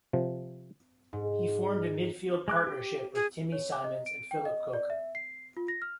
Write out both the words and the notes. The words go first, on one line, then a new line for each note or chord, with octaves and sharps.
He formed a midfield partnership with Timmy Simons and Phillip Cocu.
C3 F3
G#2
G#3 D6 F#6
G4
G#4
C#5
D6
D#5
D7
G5
D#5
D5
E5
C7
F4
A#6
F6